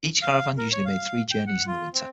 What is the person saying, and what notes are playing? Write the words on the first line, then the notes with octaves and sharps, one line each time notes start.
Each caravan usually made three journeys in the winter.
F5
A#4
C#5
F5
G5
F#5
F4
C4